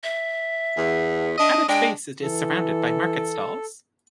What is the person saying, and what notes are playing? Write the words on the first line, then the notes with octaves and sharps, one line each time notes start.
At its base it is surrounded by market stalls.
E5
E2
D4 D#5
G#3 D4 G5
E3 A4